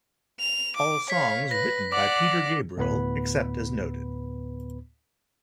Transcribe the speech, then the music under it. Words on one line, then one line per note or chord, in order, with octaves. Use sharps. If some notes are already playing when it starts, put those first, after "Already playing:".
All songs written by Peter Gabriel except as noted.
F7
D6
C#5 F5 B6
B4 A#6
D5 F#5 D6
D2 A2 B3 B4 B5